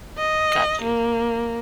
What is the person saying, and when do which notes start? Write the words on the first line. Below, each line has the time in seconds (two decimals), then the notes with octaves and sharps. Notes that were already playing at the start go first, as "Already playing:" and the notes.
Got you.
0.18 D#5
0.82 A#3